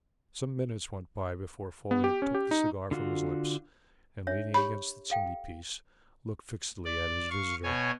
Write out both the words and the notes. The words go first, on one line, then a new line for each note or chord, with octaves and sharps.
Some minutes went by before Folliot took the cigar from his lips and leaning against the chimneypiece looked fixedly at his visitor.
B3
G4
C#4
G4
D#4
D3 F4 F#4
D4 C#5 E5
G4 C#5 B5
A4 F5 G5
D5
F5 C#6
B2 C#5 G#5